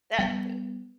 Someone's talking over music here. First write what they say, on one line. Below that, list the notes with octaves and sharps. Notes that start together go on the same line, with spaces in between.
That, uh,
G3 B3